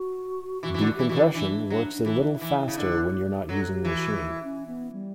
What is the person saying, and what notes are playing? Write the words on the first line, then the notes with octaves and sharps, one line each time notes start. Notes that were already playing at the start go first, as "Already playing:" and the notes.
Decompression works a little faster when you're not using the machine.
Already playing: F#4
E3 F#4
E3
D3
E3 G4
E3 F#4
D3
E4
E3 D4
F#3
D4
E3 E4
E3
C#3
D3
F#3 A4
G4
E3
F#4
E4
C#4
B3
G3